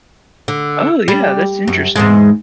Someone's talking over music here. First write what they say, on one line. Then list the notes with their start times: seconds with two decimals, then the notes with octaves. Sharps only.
Oh, yeah, that's interesting.
0.48 D3
1.08 G3
1.68 F#2
1.96 E2 G#2 G#3